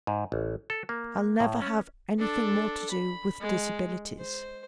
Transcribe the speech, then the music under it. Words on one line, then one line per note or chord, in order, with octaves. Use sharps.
I'll never have anything more to do with disabilities.
G#2
A1
A4
A#3
A2
C#4
D4 A4
B5
G#3
C5